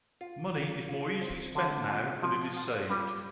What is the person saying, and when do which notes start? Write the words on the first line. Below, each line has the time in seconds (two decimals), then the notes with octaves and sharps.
Money is more easily spent now than it is saved.
0.21 F4
0.55 F4
0.88 F4
1.21 C4
1.55 D3
1.89 F4
2.22 F3
2.56 F4
2.90 G3